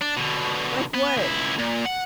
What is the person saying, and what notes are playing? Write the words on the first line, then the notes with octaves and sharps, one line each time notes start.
Like what?
D4
B2 D3
B3
C#2 E4
A#2
F#5